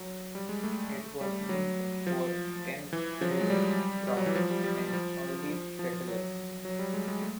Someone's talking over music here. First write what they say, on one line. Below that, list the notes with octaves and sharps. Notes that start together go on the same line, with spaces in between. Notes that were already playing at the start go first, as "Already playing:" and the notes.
It was named for M. Pliny Brown, an early settler.
Already playing: F#3
G3
G#3
A3
G3
F#3
F3
E3
F3
F#3
G#3
G3
G3
F#3
E3
F3
G3
G3
F3
F3
F3
F3
F#3
F#3
G3
G#3
G#3
A3